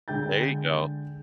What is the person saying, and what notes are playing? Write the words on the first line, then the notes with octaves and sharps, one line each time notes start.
There you go.
D3 G#3 G5 G6 A6